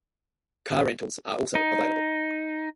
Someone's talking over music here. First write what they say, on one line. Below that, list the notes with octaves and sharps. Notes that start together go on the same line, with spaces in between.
Car rentals are also available.
D#4